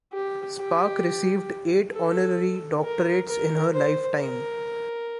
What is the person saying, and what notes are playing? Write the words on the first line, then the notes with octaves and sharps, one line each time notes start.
Spark received eight honorary doctorates in her lifetime.
G4
G4
A4
A#4
A#4
C5
A#4